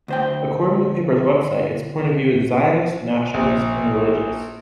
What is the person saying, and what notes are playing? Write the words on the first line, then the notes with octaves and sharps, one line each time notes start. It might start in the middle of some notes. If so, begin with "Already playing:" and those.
According to the paper's website, its point of view is Zionist, nationalist and religious.
D2 C5 G5
A#1